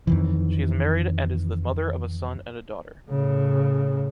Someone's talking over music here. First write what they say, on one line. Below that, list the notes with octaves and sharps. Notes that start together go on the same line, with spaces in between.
She is married and is the mother of a son and a daughter.
F2 D#3 E3
A2 C#3